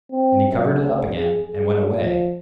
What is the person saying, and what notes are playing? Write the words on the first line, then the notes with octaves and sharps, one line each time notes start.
Then he covered it up again, and went away.
C4
F#2
D2
G#4
G#4
F3